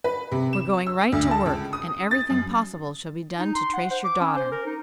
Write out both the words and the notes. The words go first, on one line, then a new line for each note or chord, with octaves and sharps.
We're going right to work, and everything possible shall be done to trace your daughter.
B4
C3
E7
E6
D2
A5
C#2
D#6
A6
F#2
D#4
C6
F#5
C5
D6
C#4
C5
A#4
D#4